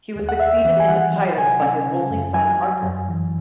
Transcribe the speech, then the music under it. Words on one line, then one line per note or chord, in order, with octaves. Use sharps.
He was succeeded in his titles by his only son Arthur.
D#2
F#5
C2 E5
E3
G#5
D#3 F#5
F#3
C3 G#5
C#4
C#3
F#2
F#3 G#5
F#3
F#2
E3